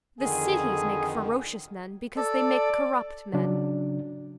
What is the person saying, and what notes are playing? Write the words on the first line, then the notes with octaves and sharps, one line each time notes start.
The cities make ferocious men because they make corrupt men.
F2 D3 D#3 G#4
A4 D5
C#3 F#3 D4